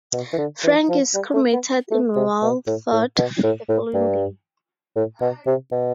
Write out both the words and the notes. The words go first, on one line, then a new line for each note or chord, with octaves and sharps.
Frank is cremated in Walford the following day.
B2
E3
D3
E3
F3
G3
A3
B3
A3
C3
B2
A2
A2
B2
A2
A2
G2
A2
B2
C3
B2